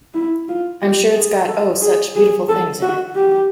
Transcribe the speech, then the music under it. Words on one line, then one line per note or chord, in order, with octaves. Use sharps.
I’m sure it’s got, oh, such beautiful things in it!
E4
F4
G4
G#4
A4
G#4
G#4
A4
F#4
G4